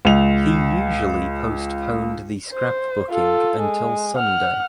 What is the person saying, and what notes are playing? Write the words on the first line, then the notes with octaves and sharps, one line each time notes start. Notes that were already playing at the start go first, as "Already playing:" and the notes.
He usually postponed the scrapbooking until Sunday.
C#2 F7
C5
F4 A4
G#3
F#5 F6